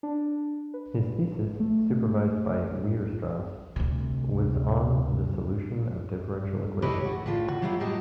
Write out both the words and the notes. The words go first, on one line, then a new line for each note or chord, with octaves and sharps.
His thesis, supervised by Weierstrass, was on the solution of differential equations.
D4
B4
A3
D2 C3
D4 E4 G4 B4 C#5 D#5
A2 F#4
A2 D3 A3 F4 A4
F#4
F#3 G3 A#3 E4 F4
A2 F#3 G3 G4 D#5 A5